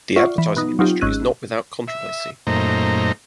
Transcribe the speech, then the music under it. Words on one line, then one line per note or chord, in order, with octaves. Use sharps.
The advertising industry is not without controversy.
F4 D5 E5 F#5 C#6
E3
B2 B3 D#4
F#3 C4 D#4 F4 G4
G#1 G#2 C#4 E6 F#6 D#7
E5
F#2 A#2 A3 D#4 C5 A#5